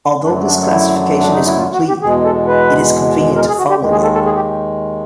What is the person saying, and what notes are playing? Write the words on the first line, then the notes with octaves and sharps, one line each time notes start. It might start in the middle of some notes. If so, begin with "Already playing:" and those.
Although this classification is complete, it is convenient to follow it.
F#2 D3 F#3 A3 D4
D4
E4
D4
D#4
E4
F4
F#4
G4
E2 B2 G#3 G#4
A4
B4
A#4
G#4
F#4
G4
D#2 D#3 G#3
G#4
A4
A4
G#4
G4